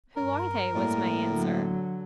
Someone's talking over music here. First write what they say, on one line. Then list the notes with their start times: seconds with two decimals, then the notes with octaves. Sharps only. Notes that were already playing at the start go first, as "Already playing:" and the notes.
"Who are they?" was my answer.
0.16 G2 A#4
0.75 A2 G3 A#3 C4 D5
1.28 D3 F#3